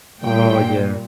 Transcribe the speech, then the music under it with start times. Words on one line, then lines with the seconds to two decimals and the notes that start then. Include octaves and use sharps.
Oh, yeah.
0.22 A#2 G3 G5